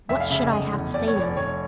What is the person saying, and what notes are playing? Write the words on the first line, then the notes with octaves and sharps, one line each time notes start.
"What should I have to say to you?"
F1 E5
F5
C#3 E5
F1 D#5
E2
F1 D5
C#5
F1 D5
F1 C#5